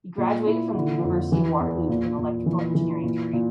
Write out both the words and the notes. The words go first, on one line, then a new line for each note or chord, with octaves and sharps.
He graduated from the University of Waterloo with an electrical engineering degree.
A#2
E4
D3
F2
E3
E2
A#2
A#2
E3
E3
A#2
A#2